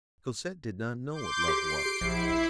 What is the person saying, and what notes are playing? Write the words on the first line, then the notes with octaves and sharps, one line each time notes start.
Cosette did not know what love was.
C6 D6 G6
G4 C7 D7
A#1 E4